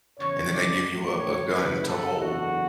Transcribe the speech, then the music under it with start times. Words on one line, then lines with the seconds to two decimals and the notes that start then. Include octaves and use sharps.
and then they give you a a gun to hold.
0.19 E2 C#3 E3 C#5
0.53 D5
0.87 A1 A2 F#3
1.20 C#5
1.53 F#1 E2 C#3 B4
1.87 A4
2.20 F#1 E2 D3 F#3 F#4